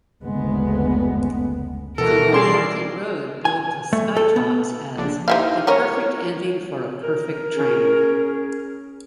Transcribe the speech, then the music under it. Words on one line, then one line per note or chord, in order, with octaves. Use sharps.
The Milwaukee Road billed the "Skytops" as "the perfect ending for a perfect train".
F#1 D2 G#3 B3
B2 E3 A4 A#4
G3 C#4 G#4 D5 C6 C7 E7
G#5
A3
A4
B3
A#1 D3 D4
D#4 E4 G4 C5 E5 F5
A#3 C#4 A#4 C#5
A#4
C#4 G#4